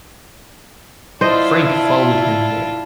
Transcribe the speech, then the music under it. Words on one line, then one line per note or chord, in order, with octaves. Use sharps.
Frank followed him there.
D4 E4 F4 C5 D#5